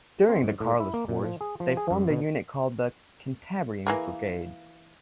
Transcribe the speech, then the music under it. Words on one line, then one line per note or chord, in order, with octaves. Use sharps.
During the Carlist wars they formed a unit called the "Cantabrian Brigade".
C4
G#2
A2
E4
A#3
A#2
F3
G#4
F3
G#4
F#2
B2
E3 A#3 G#4